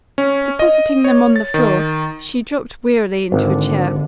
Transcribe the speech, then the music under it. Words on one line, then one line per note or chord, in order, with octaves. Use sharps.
Depositing them on the floor, she dropped wearily into a chair.
C#4
D#5
C#5
A6
D#3
G#1 D3